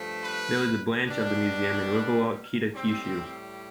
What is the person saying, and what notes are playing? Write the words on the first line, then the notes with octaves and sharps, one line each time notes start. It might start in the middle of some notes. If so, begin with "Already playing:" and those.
There is a branch of the museum in Riverwalk Kitakyushu.
Already playing: G2 F3 A3
B4
B2 G3 D4
A2 G3 C4